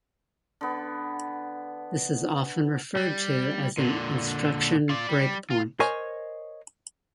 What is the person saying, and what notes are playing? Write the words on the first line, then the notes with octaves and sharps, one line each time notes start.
This is often referred to as an "instruction breakpoint".
D3 B3
G3
A#2 D3
F4 D5
G3
F4
A#4 C5 C#5 D#5 G#5